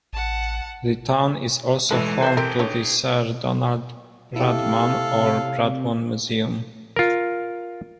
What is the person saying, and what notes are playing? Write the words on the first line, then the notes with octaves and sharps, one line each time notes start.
The town is also home to the Sir Donald Bradman or Bradman Museum.
A1 F#5 A5
A2 E3 G#3 E4 A4 B4
B4 C5 D5 E5
C4 G4 G#4 A#4 G5
D3 D#4 C#5
C3 E4 G4 A4 F5
F4 A#4